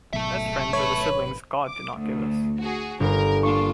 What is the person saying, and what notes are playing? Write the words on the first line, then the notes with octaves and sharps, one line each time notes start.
Best friends are the siblings God did not give us.
G#1 B2 F#3 A4 E5
B4 C#5
D6
D2
F#4 G#4
G1 A#4
A#3 D4 F4 C#6